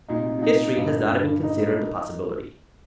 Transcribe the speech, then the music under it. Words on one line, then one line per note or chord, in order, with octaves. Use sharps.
History has not even considered the possibility.
A#2 D#4
C3
A#2
C3
A#2
C3 D#4
A#2
G2 A#2
G2
D#4